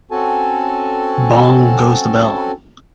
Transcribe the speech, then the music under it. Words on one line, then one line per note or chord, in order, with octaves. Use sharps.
Bong goes the bell.
C4 C#4 F#4 A4 G#5 A5